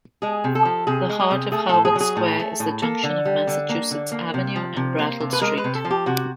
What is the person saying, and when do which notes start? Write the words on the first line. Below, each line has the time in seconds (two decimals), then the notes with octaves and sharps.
The heart of Harvard Square is the junction of Massachusetts Avenue and Brattle Street.
0.22 G#3 G#4
0.44 C3
0.55 A4
0.65 F3
0.87 C3 G#4
1.09 G#3
1.20 G#4
1.31 C3
1.52 A3 G#4
1.69 A2 A4
1.85 G#4
1.96 F#3 G#4
2.17 A2
2.39 A3
2.60 A2
2.82 A#3 A4
3.04 D3
3.25 G3
3.47 D3
3.69 A#3
3.91 D3
4.12 A#3
4.34 C3
4.56 F3
4.76 C3
4.99 A#3
5.20 C3
5.33 B4
5.41 G#3 A#4
5.58 B4
5.64 C3
5.75 A4
5.85 F3
5.91 G4
6.06 C3 F#4